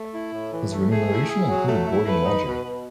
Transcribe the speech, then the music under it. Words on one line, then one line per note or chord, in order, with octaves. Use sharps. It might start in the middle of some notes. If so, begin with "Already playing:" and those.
His remuneration included board and lodging.
Already playing: A3
E4
A2
E3
A3
A3 G#4
E4
G#4
F#3
A3
E4
A3 B4
D#4
B2
B2